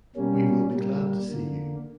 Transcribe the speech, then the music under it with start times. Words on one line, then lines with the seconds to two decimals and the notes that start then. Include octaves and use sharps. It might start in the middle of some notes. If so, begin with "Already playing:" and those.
We will be glad to see you!
0.16 B2 G3 A#3 C#4
0.73 A#2 G3 A#3
1.30 D3 A#3